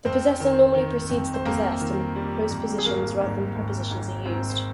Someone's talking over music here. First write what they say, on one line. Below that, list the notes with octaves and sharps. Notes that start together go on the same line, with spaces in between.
The possessor normally precedes the possessed, and postpositions rather than prepositions are used.
F2 C4 C5
D#3
D#3
F2
C5
F2 A#3 A#4
D#3
G3
F2
G#4
G#1 A#3 A#4
G#2
G#1
G#2
G#2 C4 C5
C5